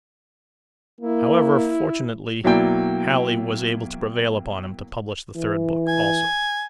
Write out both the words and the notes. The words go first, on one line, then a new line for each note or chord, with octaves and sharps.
However, fortunately, Halley was able to prevail upon him to publish the third book also.
A#3 E4
B2 F#3 A#3 E4 D5 G5
E3
G#5